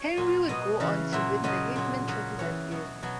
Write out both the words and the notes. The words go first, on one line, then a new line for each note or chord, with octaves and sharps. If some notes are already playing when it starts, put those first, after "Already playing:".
Henry would go on to win the Heisman Trophy that year.
Already playing: C#5
A#2 F#3
B2 F#3 D#5
C#3 E3
A#2 F#3 E5
C#3 F#3 D#5
A#2 F#3
C#3 F#3
C#3 E3 C#5
B2 F#3
B2 F#3